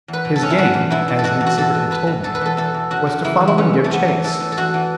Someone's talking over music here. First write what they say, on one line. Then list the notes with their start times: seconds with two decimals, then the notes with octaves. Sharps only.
His game--as he'd secretly told me--was to follow and give chase.
0.08 E2 B4
0.25 B2
0.36 A4
0.41 B2 C#4
0.50 E4
0.57 B2 F#4
0.74 E2
0.90 B2 E4
1.08 E2
1.19 A4
1.24 B2 F#4
1.41 E2
1.46 F#4
1.58 E2 A4
1.74 B2
1.91 B2 B4
2.07 B2
2.23 E2 A4
2.35 B4
2.41 E2 A4
2.57 E2 A4
2.74 E2
2.90 C#3 F#4
3.07 C#3
3.24 E3 E4
3.41 E2
3.47 E4
3.58 E3 C#4
3.74 E3
3.84 A3
3.91 E3 B3
4.08 E2
4.24 E3 A4
4.40 E2
4.52 A4
4.57 E2 F#4
4.74 E3